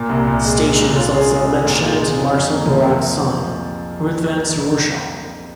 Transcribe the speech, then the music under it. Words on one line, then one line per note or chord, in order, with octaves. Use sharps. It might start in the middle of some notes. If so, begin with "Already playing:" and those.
The station is also mentioned in Marcel Borrack's song "Ruthven to Rushall".
Already playing: A#2 A#3
C2
A#2
G#3
G#3
C2
F4
G#4
G#3
G#3
A#2
F4
G#4
F2
F2
A#3
F3